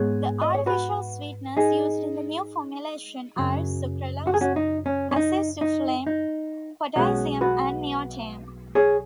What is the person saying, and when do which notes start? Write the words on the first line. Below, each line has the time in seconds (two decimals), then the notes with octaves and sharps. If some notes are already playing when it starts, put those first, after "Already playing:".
The artificial sweeteners used in the new formulation are sucralose, acesulfame potassium, and neotame.
Already playing: G#2 G#3 B3 G#4 C#5
0.42 D#5
0.55 C#5
0.66 F#4 B4
1.57 D#4 G#4
3.36 F#2 C#3 F#3
4.27 F#4
4.34 G#4
4.41 C#4 F#4
4.56 D#4
4.86 C#4
5.11 C#4
5.16 D#4
5.61 D#4
6.07 D#4
6.96 B1 B2 G#3 B3 C#4 F#4
7.41 F#4 B4
8.75 G#4 C#5